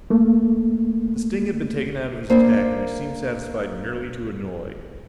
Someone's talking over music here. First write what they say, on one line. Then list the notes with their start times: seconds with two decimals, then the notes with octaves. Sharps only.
The sting had been taken out of his attack and he seemed satisfied merely to annoy.
0.10 A3 A#3
2.30 A#3 D4 C5